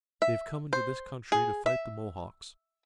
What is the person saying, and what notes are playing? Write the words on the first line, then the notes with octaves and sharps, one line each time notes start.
They have come into this country to fight the Mohawks.
E5
C5
G#4
E5